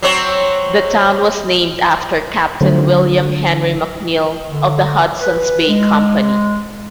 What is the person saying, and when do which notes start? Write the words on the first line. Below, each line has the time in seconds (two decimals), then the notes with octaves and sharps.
The town was named after Captain William Henry McNeill of the Hudson's Bay Company.
0.02 F#3 C4 C#5
2.61 D3 F#3 A3 C5
4.50 D3
5.21 B4
5.69 G#3